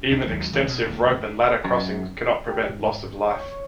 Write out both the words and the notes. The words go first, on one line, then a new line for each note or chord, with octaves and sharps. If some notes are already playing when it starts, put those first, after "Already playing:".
Even extensive rope and ladder crossings cannot prevent loss of life.
C2 D4
D#2 G#2 F#3
D1 E2 E3 G#3
B2
D1 G#2 A#3
G2
F#2
G4
G#2
C#5